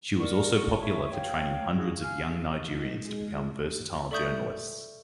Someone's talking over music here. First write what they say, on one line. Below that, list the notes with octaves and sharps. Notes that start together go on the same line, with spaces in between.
She was also popular for training hundreds of young Nigerians to become versatile journalists.
A#4 D5 F#5 C#6
C#5 E5 C#6 D6
C#5 F5 G5
E4 F#4 G#4
F5 G#5 F6 F#6
D#4
G#3
A4 D5 E5 C#6 D#6 G6